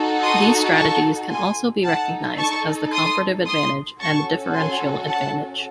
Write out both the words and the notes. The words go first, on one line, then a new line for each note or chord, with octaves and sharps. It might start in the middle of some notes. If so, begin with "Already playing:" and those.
These strategies can also be recognized as the comparative advantage and the differential advantage.
Already playing: D#4 F#4 A4
C6 D#6
A5 C#6
G#5 C6
D#4 A4 F#5 A5
A5 C#6
C6 D#6
C6 D#6
C#4 F#4 A4 A5 C#6
G#5 C6
F#5 A5